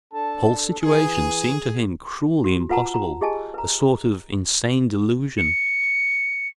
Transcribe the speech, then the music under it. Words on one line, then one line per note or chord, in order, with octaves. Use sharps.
The whole situation seemed to him cruelly impossible,--a sort of insane delusion.
D4 A4 A5
E3 G#4 G#5
F#4
F4 B4 F#5 A5 A#5
A#5
G4 G#4 D#5 G#5 A5
B4 A#5
C#7